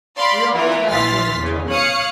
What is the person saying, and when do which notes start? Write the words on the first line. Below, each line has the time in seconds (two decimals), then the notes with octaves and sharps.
"We always have known each other."
0.18 D5 F5 B5 C6
0.54 E3 F4 A#4
0.90 A#1 E3 C6 F6 A6 B6
1.36 E2 C#3
1.70 C#5 F5 D#6 F6 F#6 C#7